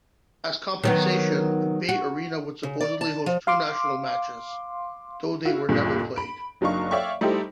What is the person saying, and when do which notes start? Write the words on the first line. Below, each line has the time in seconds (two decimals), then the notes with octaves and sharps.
As compensation, BayArena would supposedly host two national matches, though they were never played.
0.83 D#3 F#3 B3
1.89 F#4
2.63 C#3
2.80 D5
3.01 A5
3.26 F3
3.47 F5 C6 D6
5.45 E4 F#4 F5
5.69 A1 D2 G2 A#2
6.16 B5 D7
6.61 F#1 F#3 D4 D#4 F5 C#6
6.91 C#5 D5 E5 F5 G5 C#6
7.21 G3 A3 D#4 E4 G4 C5